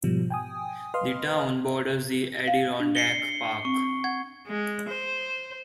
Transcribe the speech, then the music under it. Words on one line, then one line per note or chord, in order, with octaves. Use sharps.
The town borders the Adirondack Park.
G#2 B2 F3 G3
G5 G#5 D#6
B4 D#5 F5 C6 D#6 F6
F5
D4
C7 C#7 G7
C4 C#6
F#5 G#6
G#3
C5